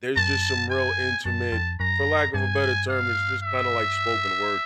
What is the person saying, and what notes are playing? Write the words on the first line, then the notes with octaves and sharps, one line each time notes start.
There's just some real intimate for lack of a better term, it's just kinda like spoken word.
F#2 A5
G#5
F#2 A5
F2
F#2 A#5
G2 G#5
F5
E5